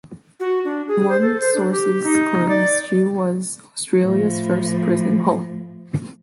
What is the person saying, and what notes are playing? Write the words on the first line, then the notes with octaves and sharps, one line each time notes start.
One sources claims she was Australia's first prison hulk.
F#4
D4
G#4
C5
A4
C5
D4
G4
D#4
D5
A2 F3